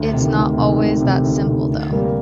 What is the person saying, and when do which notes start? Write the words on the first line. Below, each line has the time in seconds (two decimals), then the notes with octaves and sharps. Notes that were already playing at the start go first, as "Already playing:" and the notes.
It's not always that simple, though.
Already playing: D2
0.13 C3 D#3
0.35 D2
0.57 C3 D#3
0.80 D2
1.01 C3 D#3
1.24 D2
1.46 C3 D#3
1.68 D2
1.90 C3 G3 A#3